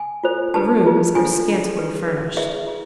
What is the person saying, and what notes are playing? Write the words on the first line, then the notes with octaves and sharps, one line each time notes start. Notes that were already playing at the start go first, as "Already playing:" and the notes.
The rooms are scantily furnished.
Already playing: G#5
F4 A4 C5
D4 F4 G#4 B4 A5
D4 F4 G#4 B4
D4 F4 A4 G#5
D4 F4 A4
D4 G#4 B4
D4 G#4 B4
E4 G#4 B4 E5
E4 G#4